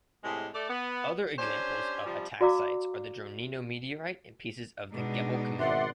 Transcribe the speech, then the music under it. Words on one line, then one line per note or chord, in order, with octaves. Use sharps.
Other examples of ataxites are the Dronino meteorite and pieces of the Gebel Kamil.
A2 C3 G#3
A3 D5
B3
C#4 D4 G4 C5
C3 F3 G3
F#4 D5 F5 A#5 D6 E6
B2 G#3 D4 D#4
G#1 D5 E5 F#5 C6